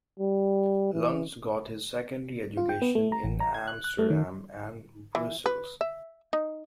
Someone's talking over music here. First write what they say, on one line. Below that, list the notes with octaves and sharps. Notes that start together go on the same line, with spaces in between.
Luns got his secondary education in Amsterdam and Brussels.
G3
E3
F4
G5
B3
A3
A#5
A1
A#5
G#6
F#6
F#6
A3
D#3
E3
B4
E5
D#4